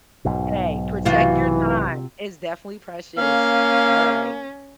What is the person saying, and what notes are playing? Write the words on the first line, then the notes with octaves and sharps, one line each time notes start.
hey, protect your time, it's definitely precious. All right,
B1 G#2 B2
C3 E3 F4 F#4
A#3 C#4 F5